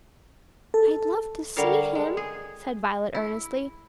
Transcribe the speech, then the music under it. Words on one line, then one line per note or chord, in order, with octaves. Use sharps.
"I'd love to see him," said Violet earnestly.
A4
D3 G3 A#4 C#5 F5 A5
G#3
G#4
E4